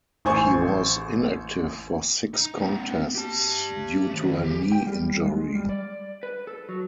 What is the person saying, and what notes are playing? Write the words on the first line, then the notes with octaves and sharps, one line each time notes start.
He was inactive for six contests due to a knee injury.
A1 C5 G#5 C#6
D#4
A#3 C4
G4 A5
D#3 A3
G4 G#4
G5
G3
G#3
G3
D5
B4
A4
F#3